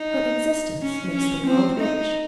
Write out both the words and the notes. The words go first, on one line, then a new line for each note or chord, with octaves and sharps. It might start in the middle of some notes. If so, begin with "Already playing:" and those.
Her existence makes the world rich.
Already playing: D#4
C#4
C#4
C4
D#4